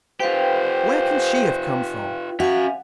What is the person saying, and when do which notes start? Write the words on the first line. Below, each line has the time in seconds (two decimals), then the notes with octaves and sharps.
Where can she have come from?'
0.20 F4 G4 B4 C5 F5 G5
2.40 C#4 F#4 E5 F5 G#5